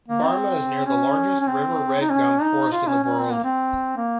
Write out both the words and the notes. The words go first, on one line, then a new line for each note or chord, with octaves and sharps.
Barmah is near the largest river red gum forest in the world.
A#3
C4
C#4
C#4
C4
D#4
C#4
D#4
F4
C#4
C#4
C4
A#3
C4
A#3